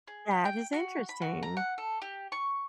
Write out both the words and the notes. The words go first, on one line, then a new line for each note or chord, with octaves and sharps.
That is interesting.
G#4
G4
G5
F#4
B5
F#4
A#5
F#5
A4
G4
C#6